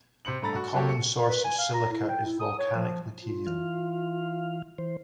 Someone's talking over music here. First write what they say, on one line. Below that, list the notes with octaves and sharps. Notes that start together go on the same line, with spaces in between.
A common source of silica is volcanic material.
C3 C5 C#7 F#7
G2 A3 A4 A#5 B5 A6
F#4
F#3 A#3 F#4 G4 A4 C#5
C#7
B4
G#5
F5
A#5
E4
G5
E4
D#6
C#5
F3
F4
E3 F5
E3 C5